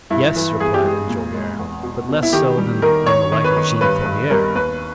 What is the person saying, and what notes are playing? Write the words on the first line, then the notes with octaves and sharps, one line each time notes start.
"Yes," replied Enjolras; "but less so than on the life of Jean Prouvaire."
G2 E4
E3
G2 G#4
G4
G#3 G#4
A#2
G#3
E2
B2
B2
E4
D#3 G4
G3
D#3 A#4
D#3 C#5
D#3
B4
D#3
G2 B4
G2
G3 A#4
D#2 B4